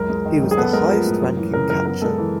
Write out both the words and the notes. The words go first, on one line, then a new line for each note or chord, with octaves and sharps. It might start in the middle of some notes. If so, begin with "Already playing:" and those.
He was the highest-ranking catcher.
Already playing: C#2 F#2 A#4
G#3
D#3
F#2
G#4
B3 A4
G#3 A#4
F3
A2
F#2
E3
C#3 A#4
F#2 A#4
B3 A#4
G#3 A4
E3